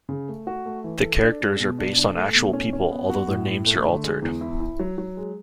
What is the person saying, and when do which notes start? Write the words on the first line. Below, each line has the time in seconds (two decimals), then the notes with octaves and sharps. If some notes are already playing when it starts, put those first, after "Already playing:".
The characters are based on actual people although their names are altered.
0.09 C#3
0.29 A3
0.47 F#4
0.66 A3
0.84 E3
1.03 A4
1.23 D4
1.41 G#3
1.60 B2
1.79 D4
1.97 D4
2.16 A3
2.35 B2
2.53 C#4
2.73 C#4
2.91 B3
3.09 F#4
3.29 A2
3.48 A2
3.67 A3
3.86 D3
4.04 G#3
4.22 E2
4.41 E4
4.60 E4
4.79 F#3
4.98 F#3
5.17 G#3